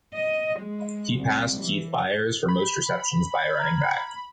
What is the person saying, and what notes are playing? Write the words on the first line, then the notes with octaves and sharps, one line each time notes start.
He passed Keith Byars for most receptions by a running back.
D#5
G#3
C2
E3
B5
A#5 F6 G#6